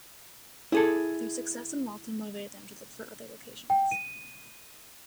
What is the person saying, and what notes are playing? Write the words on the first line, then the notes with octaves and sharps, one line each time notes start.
Their success in Waltham motivated them to look for other locations.
E4 G#4 A4
G5
D#7